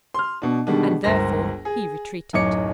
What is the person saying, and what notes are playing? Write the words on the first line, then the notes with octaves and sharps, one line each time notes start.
And therefore he retreated.
C6 F6
B2 D4
B2 D3 D#3 G3 G#3 D4
G1 C#2 A#4 C5 A#6
G#4
D1 F#2 D#4 C#5 D6 C#7